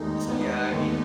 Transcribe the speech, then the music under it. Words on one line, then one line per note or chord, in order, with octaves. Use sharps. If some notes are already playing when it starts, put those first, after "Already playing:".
ye so, yeah, I mean,
Already playing: E1 D#2 D#3 A3 D#4
E1 B3
D#2 D#3 A3